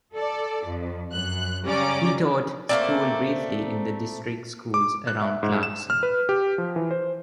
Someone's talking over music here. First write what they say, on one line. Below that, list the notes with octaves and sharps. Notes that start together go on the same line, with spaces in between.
He taught school briefly in the district schools around Clarkson.
A4 D5
F2
F#2 F#6
C#3 G3 C#4 D5 A#5 D6
A3 A#3 C4 D5
D6
F#6
E5
G#2
E7
F6
B4
G4
F3
E3
C5